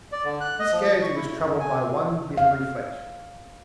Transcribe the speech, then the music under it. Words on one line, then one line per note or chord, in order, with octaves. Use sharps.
This gayety was troubled by one bitter reflection.
D5
D3
F#6
D#5
F3
D2
C#6
E4
F#2
G#5
F5